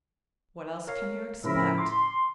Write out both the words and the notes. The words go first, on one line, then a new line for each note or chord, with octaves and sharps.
'What else can you expect?'
A#4 C#5 F5
A2 C#3 F3 A#4 E5 B5
C6 D6